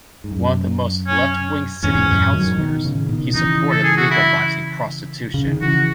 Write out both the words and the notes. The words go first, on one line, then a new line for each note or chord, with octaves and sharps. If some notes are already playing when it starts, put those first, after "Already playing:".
One of the most left wing city councillors, he supported legalizing prostitution.
G#2
F#2
C#4
E2 G#2 C#4
F#2 A2
D#3 F#3
B2 D#3
A2 C#3
B2 D#3
C#3 E3 D#4
A4
G#4
F#4
E4
C#3
D#3
C#3 E3 F#4